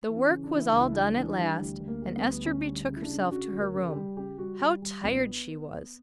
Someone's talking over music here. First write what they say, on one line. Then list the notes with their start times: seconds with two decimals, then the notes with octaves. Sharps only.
The work was all done at last, and Ester betook herself to her room. How tired she was!
0.08 E3
0.15 C#4
0.29 C#3
0.44 D4
0.51 E3 E4
0.68 C#2 D4
0.80 E4
0.92 G3 D4
1.04 E4
1.16 E3 D4
1.29 E4
1.37 G3 D4
1.59 D2 G4
1.80 D2
1.88 A#3
2.02 G3
2.16 B3
2.23 D2
2.45 D2 C#4
2.66 G3
2.88 C#3
2.96 E4
3.02 D4
3.09 C#3
3.31 C#3 F#4
3.52 D2
3.59 A#4
3.74 C#3
3.89 G4
3.95 G3
4.17 C#3 G4
4.38 G3 F#4
4.60 G3
4.82 G3
5.03 A#1 B3